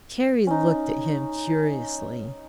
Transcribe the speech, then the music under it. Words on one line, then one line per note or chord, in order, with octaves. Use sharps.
Carrie looked at him curiously.
C#4 D#4